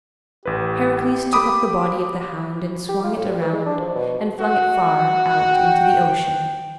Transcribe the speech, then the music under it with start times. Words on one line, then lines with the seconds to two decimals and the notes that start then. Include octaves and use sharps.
Heracles took up the body of the hound, and swung it around and flung it far out into the Ocean.
0.46 A1 G4 B4
1.33 B5 D6 D#6
2.89 G4
3.04 F4
3.16 A2
3.28 G3
3.41 E3
3.53 G#3
3.66 D4
3.80 F3
3.95 B2
4.40 F#4
5.54 G5